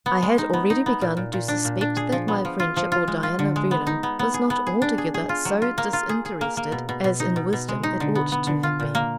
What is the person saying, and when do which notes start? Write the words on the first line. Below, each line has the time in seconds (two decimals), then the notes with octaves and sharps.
I had already begun to suspect that my friendship for Diana Vernon was not altogether so disinterested as in wisdom it ought to have been.
0.06 B3
0.23 G#3
0.38 D#4
0.53 B3
0.70 D#4
0.86 B3
1.01 A#2
1.17 A#2
1.33 A#2
1.48 D4
1.65 A#2
1.81 D4
1.97 G#4
2.12 F3
2.28 B3
2.45 F3
2.60 F4
2.76 F3
2.92 F4
3.08 G#3
3.23 F4
3.39 D3
3.56 G#3
3.71 B3
3.87 D#4
4.03 B3
4.19 B3
4.34 G#4
4.50 B3
4.67 G#4
4.82 D4
4.98 G#4
5.14 G#4
5.29 F4
5.45 F#3
5.62 F4
5.78 A#3
5.93 F4
6.09 G#4
6.25 G#4
6.41 A#3
6.57 A#3
6.72 B2
6.89 B2
7.04 B2
7.20 D#4
7.36 B2
7.53 B2
7.68 G#3
7.83 D#4
8.00 D3
8.15 B3
8.32 B3
8.47 D3
8.63 F4
8.80 A#2
8.95 A#3